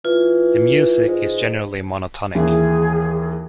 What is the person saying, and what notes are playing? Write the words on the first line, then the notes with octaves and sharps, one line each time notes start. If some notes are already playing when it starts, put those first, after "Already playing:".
The music is generally monotonic.
E3 F4
G#2
D#2 E3 G#4